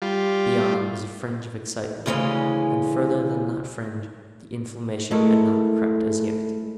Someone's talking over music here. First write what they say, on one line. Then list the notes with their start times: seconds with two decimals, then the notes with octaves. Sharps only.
Beyond was a fringe of excitement, and farther than that fringe the inflammation had not crept as yet.
0.02 G3 F4
2.06 D2 C#3 E3 G3 G#3 C#4
5.11 G#3 A3 E4 A4 A#4